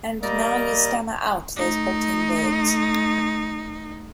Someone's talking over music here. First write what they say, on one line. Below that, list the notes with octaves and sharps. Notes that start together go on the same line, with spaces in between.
And now you stammer out those halting words.
G3 A#3 A#4 D5 D#5
A3 D#4